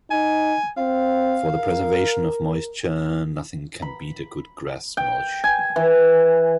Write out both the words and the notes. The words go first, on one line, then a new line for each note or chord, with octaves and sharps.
For the preservation of moisture nothing can beat a good grass mulch.
D#4 G#5
C4 F5
A#4
B5
G5
G#5
E3